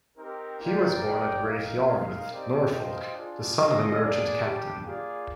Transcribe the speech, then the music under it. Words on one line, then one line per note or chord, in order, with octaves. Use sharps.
He was born at Great Yarmouth, Norfolk, the son of a merchant captain.
C4 D#4 G4 A#4
A#3 F4 A#4 D5 G5
D#4 A#4 D5 G5
D#4 A#4 F5
G#3 D#4 A#4 F5
G3 C4 D#4 G4 D5
F4 C5 D#5 G5
D4 F4 G#4
F4 G#4 D#5
A#3 D4 G#4 D5
G3 D4 G4
A#3 F4 G#4 D5 F5